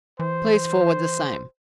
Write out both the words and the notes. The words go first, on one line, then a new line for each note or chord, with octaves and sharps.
Pleas forward the same.
E3 C5